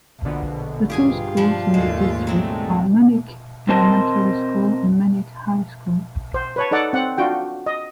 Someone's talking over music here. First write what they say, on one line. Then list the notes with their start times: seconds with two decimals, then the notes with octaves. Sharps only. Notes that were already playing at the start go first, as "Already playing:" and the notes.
The two schools in the district are Munich Elementary School and Munich High School.
0.25 A#1 B2 D3
0.90 G2 F4 G4 G#4 G#5
1.37 F3 D4 G4
1.74 D#2 G#2 C#3 G#3 A3 C5
2.27 F#3 C4 D4
3.69 C4 A#4 C5 D#5 A5
6.34 C5
6.56 B4 C#5 A5
6.71 D#4 A4 D5 F#5
6.93 C4 F#5
7.18 D4 F4 F#4 G5
7.66 D#5